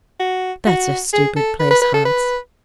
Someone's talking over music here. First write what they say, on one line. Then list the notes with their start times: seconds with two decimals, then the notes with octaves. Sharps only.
'That's a stupid place, Hans.
0.20 F#4
0.66 F#4
1.13 G#4
1.36 A4
1.59 B4
1.71 B4
1.82 B4
1.94 A4
2.05 B4